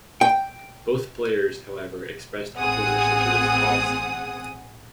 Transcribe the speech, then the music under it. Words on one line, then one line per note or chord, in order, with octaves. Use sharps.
Both players, however, expressed opposition to this policy.
G5
A1 C4 G#4 F#5 D#6